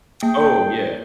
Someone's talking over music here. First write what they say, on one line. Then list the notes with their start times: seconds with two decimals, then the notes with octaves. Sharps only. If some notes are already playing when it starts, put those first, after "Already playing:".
Oh yeah.
0.23 A#3 G5